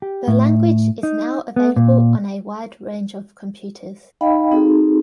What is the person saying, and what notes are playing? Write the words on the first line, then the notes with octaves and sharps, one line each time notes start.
The language is now available on a wide range of computers.
G4
A2
D#4
B3
A#2
D#4 D#5 F5 G5 B5
C4 D#4 F#4 G#4 A4